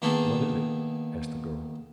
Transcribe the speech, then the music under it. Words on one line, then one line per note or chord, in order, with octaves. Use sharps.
"What is it?" asked the girl.
D#3 A#3 B3 G#4 A4